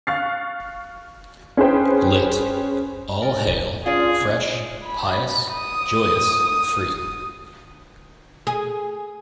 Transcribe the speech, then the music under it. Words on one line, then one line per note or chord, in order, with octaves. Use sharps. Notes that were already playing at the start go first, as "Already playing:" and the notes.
Lit. All hail, fresh, pious, joyous, free.
F5 C#6 F6 F#6 A6 C7
C#4 G#4 B4 C5 G5
A#4 D5 D#5
C#4 D4 F4 G#4 D5
C#3 G#6
B5
D#6
G#4